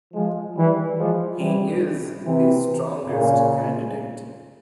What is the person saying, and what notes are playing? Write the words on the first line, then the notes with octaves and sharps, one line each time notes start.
He is the strongest candidate.
F3 G#3
E3 G3
F3 G#3
E3 G3
C3 E3
A#2 C#3